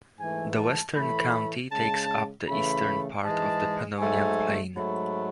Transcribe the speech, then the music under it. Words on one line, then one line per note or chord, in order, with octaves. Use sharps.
The western county takes up the Eastern part of the Pannonian Plain.
G#2 E3 A3 G#5
A5
A2 E3 A3 B5
C#3 G#3 A5
C#3 E3 A3 B5
G#2 E3 G#3 A5
G#2 F#3 A3 G#5
G#2 F#3 A3 B5